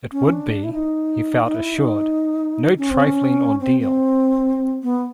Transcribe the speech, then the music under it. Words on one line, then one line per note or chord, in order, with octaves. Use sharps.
It would be, he felt assured, no trifling ordeal.
C#4
D4
E4
D#4
D#4
E4
D#4
C#4
C4
C#4
C4
C4
B3